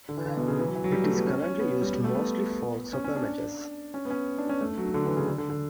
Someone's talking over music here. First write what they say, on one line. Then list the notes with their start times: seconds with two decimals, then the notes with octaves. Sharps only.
It is currently used mostly for soccer matches.
0.09 D3
0.17 E3
0.26 D3
0.37 B2
0.48 C#3
0.59 E3
0.67 F#3
0.75 E3
0.84 F#3
0.92 G3
1.04 A3
1.15 B3
1.26 C#4
1.42 C#4
1.60 B3
1.82 G3
1.93 G3
2.04 A3
2.15 B3
2.93 C#4
3.04 C#4
3.16 D4
3.94 C#4
4.05 B3
4.10 C#4
4.38 D4
4.49 C#4
4.61 A3
4.78 F#3
4.94 D3
5.06 E3
5.17 C#3
5.28 D3
5.38 D3
5.50 D3